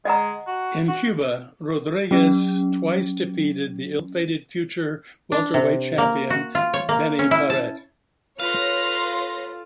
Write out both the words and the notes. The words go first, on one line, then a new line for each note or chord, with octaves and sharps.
In Cuba, Rodriguez twice defeated the ill-fated future welterweight champion Benny Paret.
G#3 D#5 F#5 A#5
F#4
F#4
F#3 C#4
D4
C3
A#3
F#4
F4
C#5
A#3
C#4
E4
A5
F4 A4 B4 C#5 F5 C6 A#6